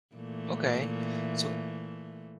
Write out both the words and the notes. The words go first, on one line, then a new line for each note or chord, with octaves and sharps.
Okay. So
A#2 E3 A3